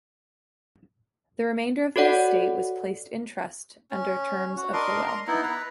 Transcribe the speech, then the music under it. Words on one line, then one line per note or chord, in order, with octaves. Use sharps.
The remainder of the estate was placed in trust under terms of the will.
F#4 A4 C#5 D5 F#5
C#4
F#4
D4 A#4 D#5 C6
A#5 C6
B3 D#4 E4
B4 A#5